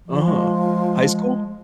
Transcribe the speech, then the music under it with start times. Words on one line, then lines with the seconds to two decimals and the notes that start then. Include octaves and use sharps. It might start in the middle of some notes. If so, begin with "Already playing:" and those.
Uh-huh. High school?
0.06 F3
0.28 G#3